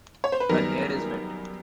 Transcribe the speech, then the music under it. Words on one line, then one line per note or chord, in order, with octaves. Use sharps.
Her hair is wet.
C#5
C5
B4
F#2 D#3 G3 B3 A#4